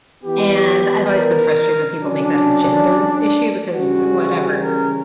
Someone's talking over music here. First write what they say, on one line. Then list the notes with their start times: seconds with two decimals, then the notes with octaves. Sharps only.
and I've always been frustrated when people make that a gender issue because whatever.
0.23 E3 B3 G4
1.10 A#4
1.98 D3 F#3 C#4 D4
3.74 C#3 E3 G3 C#4 F#4
4.61 A#4